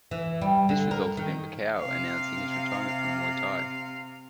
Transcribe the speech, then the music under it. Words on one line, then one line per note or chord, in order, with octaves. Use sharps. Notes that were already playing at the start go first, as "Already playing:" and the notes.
This resulted in Buakaw announcing his retirement from Muay Thai.
E3
G3
D3
A#4
D#3
C3 F5